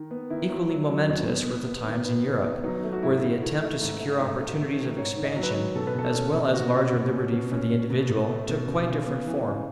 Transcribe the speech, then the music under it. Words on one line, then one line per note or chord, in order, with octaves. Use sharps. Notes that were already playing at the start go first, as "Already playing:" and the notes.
Equally momentous were the times in Europe, where the attempt to secure opportunities of expansion as well as larger liberty for the individual took quite different form.
Already playing: D#3
B3
D#3 E4
F#3
F#3
F#3
E2
B3
B3
B3
D#3
B3
D#3
B3
F#3 D#4
A3
F#4
G#2 E4
D#3
A3 E4
A3
G#2
A3
G#2 D#4
A3
A3
D#3
G#2 C#5
D#3
D#5
F#3
B4
C#5
D#3
B2 A4
B4
B2 A4
C#4
B2
B2 F#4
C#4
B2
C#4
B2
C#4
B2
B2
B2
A3
B2
B2
C#3
B3
E3
C#3